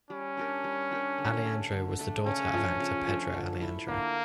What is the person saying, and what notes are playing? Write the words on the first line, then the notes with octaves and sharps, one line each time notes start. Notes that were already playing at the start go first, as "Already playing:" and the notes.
Aleandro was the daughter of actor Pedro Aleandro.
G3 C#4
D4 G4 A#4
G3
D4 G4 A#4
D3
A3 D4
D3
A3 D4
C#3 C#4
F3 A3 D4
C#3
F3 A3 D4
D3
A3 E4
D3 A#3